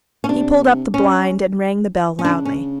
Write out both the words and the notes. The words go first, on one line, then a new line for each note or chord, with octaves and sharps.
He pulled up the blind and rang the bell loudly.
C#4
C3 D4
C#4
C#4
C#3 D4
C#4